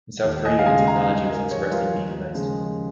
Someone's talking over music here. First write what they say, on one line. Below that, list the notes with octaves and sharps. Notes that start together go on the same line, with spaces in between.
In South Korea, the technology was expressly legalized.
D#2
D#5 G#5
F5
C#3 G#3 D#5 G#5
F5 A#5
G#2 D#5 G#5
A#4 D#5
F3 G#3 G#4 C#5
F4 A#4
D#2
C#3 F3 G#3